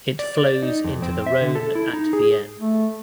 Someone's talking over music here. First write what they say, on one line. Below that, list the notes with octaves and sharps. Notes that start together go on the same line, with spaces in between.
It flows into the Rhone at Vienne.
D5
D5
D#4
F2
C4
E5
D3
A4
E4
D#4
G#4
A3